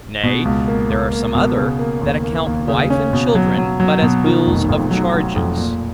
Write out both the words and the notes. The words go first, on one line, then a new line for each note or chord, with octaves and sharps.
Nay, there are some other, that account wife and children, but as bills of charges.
B2
C#2
A#3
C#2
A#3
B2
C#3
A#3
D#2
A#3
D#2
C#3
C#4
B2
F#3
F#3
F#3
B2
D#3
F1
F2
F#3
F#3
F2
A#2